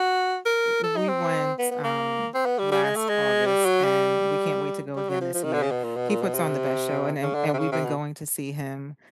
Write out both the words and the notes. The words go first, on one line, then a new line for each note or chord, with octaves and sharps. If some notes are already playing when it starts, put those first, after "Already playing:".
We went, um, last August, and we can't wait to go again this year. He puts on the best show, and and and we've been going to see him,
Already playing: F#4
A#4
A4
D#4
C4
B3
B3
A#3
C4
B3
G3
G3
G#3
A3
G#3
G3
F#3
G3
G3
F#3
F3
F3
D#3
D3
C#3
B2
A#2
B2
A#2
B2
C3
C#3
D3
D3
C3
C#3
C3
B2